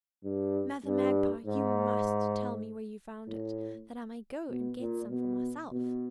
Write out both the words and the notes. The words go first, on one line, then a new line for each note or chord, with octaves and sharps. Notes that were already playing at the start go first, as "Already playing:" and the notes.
"Mother Magpie, you must tell me where you found it, that I may go and get some for myself."
G2
G2
G#2
A2
B2
A#2
B2
B2